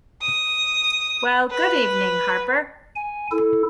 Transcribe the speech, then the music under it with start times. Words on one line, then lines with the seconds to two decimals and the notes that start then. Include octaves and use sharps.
Well, good evening, Harper.
0.22 D#6
1.51 B4
2.96 G#5
3.31 E4 A4